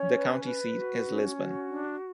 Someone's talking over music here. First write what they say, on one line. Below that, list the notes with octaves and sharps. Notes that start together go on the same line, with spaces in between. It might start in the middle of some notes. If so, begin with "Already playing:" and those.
The county seat is Lisbon.
Already playing: C#4 C#5
B4
B4
F#4
C#4
F#4
D4